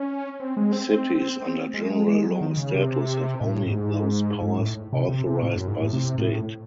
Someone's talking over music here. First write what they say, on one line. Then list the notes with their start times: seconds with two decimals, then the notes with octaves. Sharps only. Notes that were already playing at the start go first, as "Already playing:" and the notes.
Cities under general law status have only those powers authorized by the State.
Already playing: C#4
0.40 C4
0.57 G#3
0.72 C4
0.89 C4
1.15 C4
1.40 C4
1.74 G#3
1.90 G#3
2.08 G#3
2.23 F#3
2.41 D#3
2.57 C#3
2.74 C3
3.41 A2
3.66 G#2
4.42 G#2
4.59 A2
4.92 C3
5.09 C3
5.26 C3
5.42 A2
5.56 F#2
5.68 G#2
5.80 A2
5.93 C3
6.18 A2